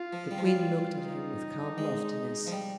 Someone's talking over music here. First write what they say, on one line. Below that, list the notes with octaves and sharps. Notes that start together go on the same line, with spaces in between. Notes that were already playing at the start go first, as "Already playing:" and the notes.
The queen looked at him with calm loftiness.
Already playing: F4
F3
G3
F3
G3
D#4
G#3
F3
G3